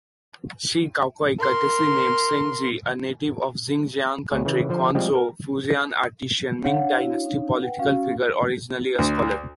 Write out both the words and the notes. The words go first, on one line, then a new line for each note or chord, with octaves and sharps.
Shi Caocai, courtesy name Shengzhi, a native of Jinjiang County, Quanzhou, Fujian, artisan, Ming Dynasty political figure, originally a scholar.
A#4 C6
D2 G#4 C#5
C#3 E3
D3 F3 C5
F3 G3 G#3 C4 G4 G#4
A#4
D4 C#5 F5 F#5
E4 F#4
C#4 D#4
B4 F#5 G5
C#4 F#4 F5
D2